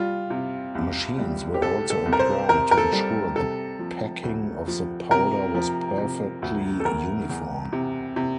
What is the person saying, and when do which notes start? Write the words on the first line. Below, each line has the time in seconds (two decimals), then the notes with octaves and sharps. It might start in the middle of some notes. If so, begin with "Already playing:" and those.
Machines were also employed to ensure the packing of the powder was perfectly uniform.
Already playing: G3 F4
0.30 C3
0.75 C2
1.18 G3
1.54 G4
1.62 C2 A4
1.90 A4
2.06 C2
2.13 A#4
2.19 C5
2.49 C3 A#4
2.71 A#4
2.77 A4
2.92 G3
3.36 C3 A4
3.79 F3
4.23 D2
4.68 F3
5.11 C3 A#4
5.55 F3
5.98 C3
6.42 D2
6.80 A4
6.85 E2 A#4
7.30 E2
7.73 C3
8.16 C3